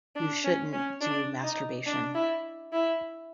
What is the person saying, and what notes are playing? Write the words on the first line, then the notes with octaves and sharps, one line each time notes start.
You shouldn't do masturbation.
D4
C#4
C#4
D4
D#4
D4
E4
E4